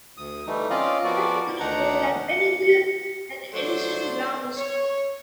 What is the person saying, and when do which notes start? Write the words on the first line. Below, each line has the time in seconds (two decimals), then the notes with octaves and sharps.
He went to school at Penleigh and Essendon Grammar School.
0.17 D2 D#6
0.47 E3 G3 A3 D#4
0.70 C4 C#4 F4 D5 D#5 F5
1.04 F3 B3 F#4 A#4 D5
1.60 D2 D#3 D4 D#4 F#5 A#5
2.30 C#7
3.54 F#3 A3 D4 C5
4.56 C#5